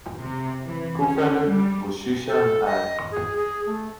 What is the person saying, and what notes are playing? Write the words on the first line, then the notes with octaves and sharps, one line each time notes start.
Co-founder was Xuexian Ai.
C3
E3
C#4
G3
A4
D#5
G#4
G#4
A3